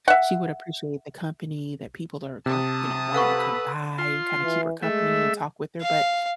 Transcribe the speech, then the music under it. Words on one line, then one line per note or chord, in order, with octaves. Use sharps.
She would appreciate the company that people are are, you know, wanting to come by and kinda keep her company and talk with her, but
E5 F#5
C3 A5 D#6
A4 B4 F5 F#5 C#6
F4 C6
E3
G#3 A3 E5
F5